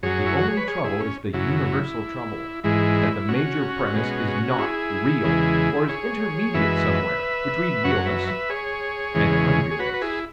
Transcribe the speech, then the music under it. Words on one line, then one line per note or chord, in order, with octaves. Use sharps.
The only trouble is the universal trouble: that the major premise is not real, or is intermediate somewhere between realness and unrealness.
F#2 F#3 G#4 C#5
E4
F#4
G#4
B4
G#4 C#5
E4 G#4
C#4
F#2 C#3 F#3 E4
G#2 E3 G#3 E4
C#4 F#4
B2 G#3
E4 G#4
E2 C#3 E3 G#3
G#4 C#5
F#2 E3 G#3 B4 E5
F#2 F#3 C#5 F#5
B4 E5
B4 E5
G#4 C#5
E2 C#3 E3 G#3
G#4
F#4 B4
B4
E4 G#4